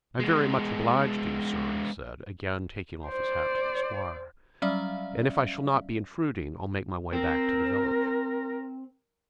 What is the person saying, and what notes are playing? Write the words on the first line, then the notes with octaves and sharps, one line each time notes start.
"I'm very much obliged to you, sir," he said, again taking off his hat to the squire, "and if I shall not be intruding I'll make my way back to the village."
G#3 B3
C5 D5
F#3 G3 C#4 D5 E5 F5
C4 A#4